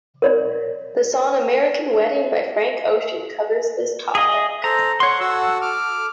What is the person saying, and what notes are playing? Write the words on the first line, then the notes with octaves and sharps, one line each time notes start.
The song American Wedding by Frank Ocean covers this topic.
A#4 C#5 D5
G#4 D#5
A4 C5 A#5
C#5 F#5 C6
F#4 A4 F#5 E6
D6 F6